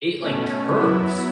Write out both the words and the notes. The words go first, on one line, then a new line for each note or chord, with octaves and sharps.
it, like, curves
B2 A3 C#4
F#3 B3 E4